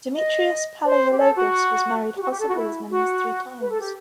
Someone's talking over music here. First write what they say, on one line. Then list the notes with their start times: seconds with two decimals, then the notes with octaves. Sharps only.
Demetrios Palaiologos was married possibly as many as three times.
0.15 D#5
0.84 C5
1.11 G4
1.19 A4
1.35 F#4
2.17 G4
2.22 F#4
2.30 G4
2.39 A4
2.48 F#4
2.55 E4
2.91 F#4
3.60 B4
3.70 A4
3.81 G4